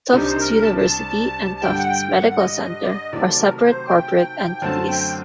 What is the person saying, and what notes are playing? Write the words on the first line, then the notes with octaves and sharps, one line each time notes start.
Tufts University and Tufts Medical Center are separate corporate entities.
C2 C3 G3 D4 D#4
C5
A#4
A5
A5
A5
G2 D3 G3 G5
F#5
G5
F#5
F#5
D#5
D#5
D5
D#5
C3 D#3 F#3 A3 D5
A#4
A#4
C5
G5
F#2 D3 A3 C4 A5
G5